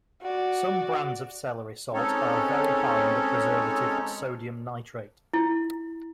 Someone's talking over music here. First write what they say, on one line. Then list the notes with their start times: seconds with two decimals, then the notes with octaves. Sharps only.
Some brands of celery salt are very high in the preservative sodium nitrate.
0.22 F#4 D5
1.94 G#3 C4 C#4 D#4 A4 C#5
5.33 E4